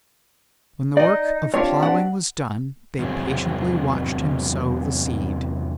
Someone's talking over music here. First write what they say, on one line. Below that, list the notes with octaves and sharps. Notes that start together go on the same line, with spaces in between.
When the work of plowing was done, they patiently watched him sow the seed.
D#4 D5 D#5
C4 D4 F4 G4 C#5
F#5
E2 C3 F#3 C4 G#4